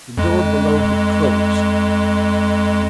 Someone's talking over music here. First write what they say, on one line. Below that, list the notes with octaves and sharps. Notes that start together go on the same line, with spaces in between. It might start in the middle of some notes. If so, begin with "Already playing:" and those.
The door below had closed.
F2 G#3